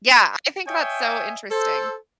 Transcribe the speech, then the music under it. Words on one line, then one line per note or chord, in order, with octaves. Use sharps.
yeah, I think that's so interesting.
C#5 D#5 E5 G5 G#5
A4 C5